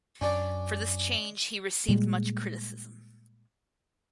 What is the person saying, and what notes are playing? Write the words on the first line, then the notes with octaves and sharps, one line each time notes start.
For this change he received much criticism.
F#2 C#4 D4 D5
A#2 G3 G#3